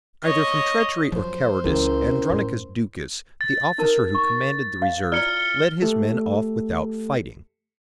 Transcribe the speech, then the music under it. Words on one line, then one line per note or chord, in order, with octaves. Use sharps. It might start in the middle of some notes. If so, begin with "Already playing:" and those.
Either from treachery or cowardice Andronicus Ducas, the officer who commanded the reserve, led his men off without fighting.
C#5 D#5
F#2 F3 C5
C#2 E3 C#4 E4 A#4
F2 A2
A6
D#4 A#4 A5
C#6
F5
E4 F4 D5 F6 C#7 G7
A3 G4 A4